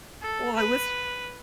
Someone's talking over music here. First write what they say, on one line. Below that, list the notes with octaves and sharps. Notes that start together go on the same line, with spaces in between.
Well, I wish
A4
B4